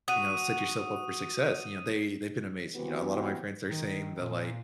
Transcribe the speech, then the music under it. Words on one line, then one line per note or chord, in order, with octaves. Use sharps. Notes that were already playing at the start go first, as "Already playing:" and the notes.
you know, set yourself up for success. You know, they they've been amazing, you know, a lot of my friends are saying that, like,
F#4 D#6 D#7
C3 E3 B3 F#4 G4
D#3
A#2